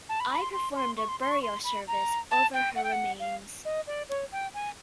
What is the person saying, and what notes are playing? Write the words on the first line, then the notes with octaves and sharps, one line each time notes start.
I performed the burial service over her remains.
A5
B5
B5
C6
C6
C6
C#6
C6
C6
C#6
C6
B5
A#5
A5
G5
F#5
G5
F#5
F5
D#5
D5
C#5
G5
G#5